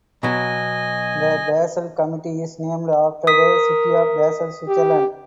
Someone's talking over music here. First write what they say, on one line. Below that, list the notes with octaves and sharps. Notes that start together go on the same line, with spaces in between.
The Basel Committee is named after the city of Basel, Switzerland.
B2 F#3 D#5 G#5
A#4 D#6 B6
G4